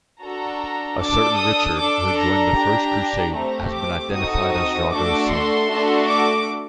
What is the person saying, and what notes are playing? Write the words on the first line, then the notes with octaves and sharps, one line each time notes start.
A certain Richard, who joined the First Crusade, has been identified as Drogo's son.
D4 F#4 A4 A#5
D4 A4 D6
D#6
D4 A4 D6
A#5
D4 G4
A3 C4 G4 A#5
D6
C4 D#4 F#4 A4 D#6
D#6
A3 D4 F#4 A4 D6
C6
A3 D4 F#4 A4
D6